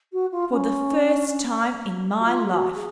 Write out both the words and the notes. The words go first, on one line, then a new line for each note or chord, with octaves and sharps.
"For the first time in my life!"
F#4
F4
C#4
F#4
F4
G#4
F#4
G#4